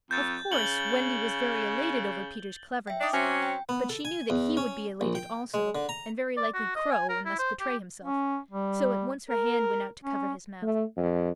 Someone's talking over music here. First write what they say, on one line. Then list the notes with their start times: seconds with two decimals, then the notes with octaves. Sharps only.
Of course Wendy was very elated over Peter's cleverness; but she knew that he would be elated also and very likely crow and thus betray himself, so at once her hand went out to cover his mouth.
0.11 F2 G6 A6
0.52 C#3 F#7 G7
2.87 E5 G5
3.01 D4 D#4 D5 G5 D6
3.13 F#3 C4 C#4 G#5
3.42 G5
3.69 B3
3.89 A4
4.05 G#5
4.30 E2
4.57 C#4
5.01 A#1
5.15 G5
5.54 G#3
5.75 D3
5.89 A#5
6.37 D5
6.54 F#4
6.76 D#5
6.92 G#5
7.09 A#4
7.26 E4
7.39 C5
7.60 G4
8.04 C#4
8.50 G3
9.30 A#4
10.04 C#4
10.62 A3
10.97 F2